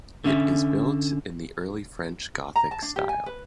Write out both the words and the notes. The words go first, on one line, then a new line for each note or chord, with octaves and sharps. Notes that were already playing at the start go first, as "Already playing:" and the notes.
It is built in the early French Gothic style.
D3 C#4 E5
A#5
A5
D4
G4
G#5
B4